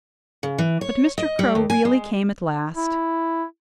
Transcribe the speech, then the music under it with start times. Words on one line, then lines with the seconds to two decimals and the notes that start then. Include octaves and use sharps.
But Mr. Crow really came at last.
0.43 C#3
0.58 E3
0.81 C#5
1.18 D#5
1.39 G3
1.55 D#2
1.70 G#5
1.85 G#3
2.75 E4